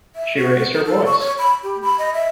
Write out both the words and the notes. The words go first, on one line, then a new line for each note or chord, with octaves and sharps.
She raised her voice.
E5
F#4
D#4
A4
C#6
C#5
B5
G4
B5
D#5
E5